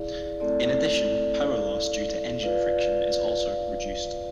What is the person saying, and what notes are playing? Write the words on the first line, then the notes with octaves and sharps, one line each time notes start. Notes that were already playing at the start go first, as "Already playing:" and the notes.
In addition, power loss due to engine friction is also reduced.
Already playing: E4 G#4 D5 F5
A3 C4 E4 A4 D5
E4 A4 D5 F5
F4 B4 D5 F5
F4 B4 D5 F5